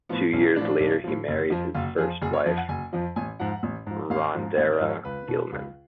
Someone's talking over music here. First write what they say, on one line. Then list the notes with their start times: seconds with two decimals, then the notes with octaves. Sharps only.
Two years later he married his first wife, Rhandera Gilman.
0.09 A2 F3 B3
0.33 B1 C#4
0.56 A2 F3 D4
0.80 B1
1.04 A2 F3
1.28 F#1
1.50 F2 F3
1.74 F#1 F4
1.98 F2 F3 G#4
2.21 F#1 G#4
2.33 C#5
2.46 F2 F3
2.57 F#5
2.69 F#1 G#5
2.93 F2 F3
3.16 A1 G#5
3.40 G#2 F3 F#5
3.63 A1
3.87 G#2 F3
4.10 A1 F5
4.34 G#2 F3
4.57 A1 F5
4.73 D5
4.80 G#2 F3
4.89 C#5
5.05 C#2 B4
5.28 B2
5.52 C#2